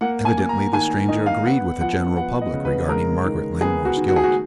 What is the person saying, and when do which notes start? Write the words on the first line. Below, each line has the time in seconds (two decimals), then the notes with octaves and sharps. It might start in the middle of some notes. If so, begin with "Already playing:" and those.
Evidently the stranger agreed with the general public regarding Margaret Langmore's guilt.
0.01 A#3 F#5
0.25 G#5
0.38 A#3
0.49 A#5
0.73 D#3 G#5
1.08 D#3 D#5
1.26 F5
1.45 B3 F#5
1.81 F3 F#5
2.17 B3 F#5
2.41 D#5
2.53 C#3
2.65 B4
2.89 G#3 A#4
3.25 D#3
3.61 B3 G#4
3.85 F#4
3.97 D#3
4.08 F#4
4.16 G#4
4.24 F#4